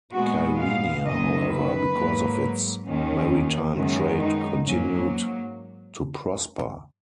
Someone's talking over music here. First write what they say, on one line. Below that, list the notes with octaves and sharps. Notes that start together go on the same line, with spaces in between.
Kyrenia however, because of its maritime trade, continued to prosper.
A#2 G#3 B3 F#4
F5
F#2 D#3 A#3 D#5
B4
G#2 F#3 A#3
D#2 D#3 A#3 C#4
F#2 D#3 G#3 B3 C#4
D#4
G#2 F#3 A#3 C#4